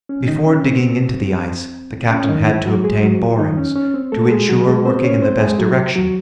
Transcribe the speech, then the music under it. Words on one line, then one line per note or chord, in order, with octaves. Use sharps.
Before digging into the ice, the captain had to obtain borings, to insure working in the best direction.
C#4
D#3 D#4
C#4
C4
C#4
C#4
D#3 D#4
E3 E4
F#3 F#4
G#3 G#4
F#3 F#4
D#3 D#4
C#4
C#4
C4
A3 A4
F#4
G#3 G#4
F#3 F#4
G#3 G#4
C4 C5
C#4 C#5
C4 C5
G#3 G#4
F#3 F#4
F#3 F#4